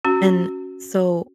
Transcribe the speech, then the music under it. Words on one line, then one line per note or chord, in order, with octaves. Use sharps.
And so,
C#4 F#4